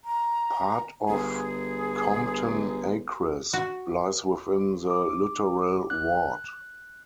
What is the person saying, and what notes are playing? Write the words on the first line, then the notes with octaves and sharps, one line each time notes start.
Part of Compton Acres lies within the Lutterell Ward.
A#5
G1 G#4
F#4
D6
F#6